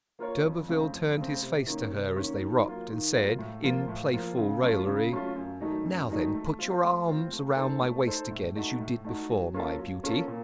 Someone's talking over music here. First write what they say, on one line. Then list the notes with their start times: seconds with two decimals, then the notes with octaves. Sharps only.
D'Urberville turned his face to her as they rocked, and said, in playful raillery: "Now then, put your arms round my waist again, as you did before, my Beauty."
0.19 A#3 F4 A#4 C#5
0.43 F2
0.68 C#3 A3 C4
0.92 F2
1.17 C#3 A3 C4
1.42 C3
1.66 D#3 A#3 C#4
1.91 C3
2.16 D#3 A#3 C#4
2.41 D#3
2.65 F#3 A#3 F4
2.90 D#3
3.14 F#3 A#3 F4
3.39 A2
3.63 F3 A#3 F4
3.88 A2
4.13 F3 A#3 F4
4.37 C#3
4.62 F#3 A3 C#4 F4
4.86 C#3
5.11 F#3 A3 C#4 F4
5.36 F#2
5.60 D#3 F#3 A3 D#4
5.85 F#2
6.09 D#3 F#3 A3 D#4
6.34 A3
6.59 C4 F4
6.84 A3
7.07 C4 F4
7.33 A3
7.57 D#4 A4 C5
7.81 A3
8.07 D#4 A4 C5
8.31 A2
8.55 A3 D#4 F#4
8.80 A2
9.04 A3 D#4 F#4
9.30 F#3
9.54 A#3 C#4 F4 A4
9.78 F#3
10.03 A#3 C#4 F4 A4
10.28 A#2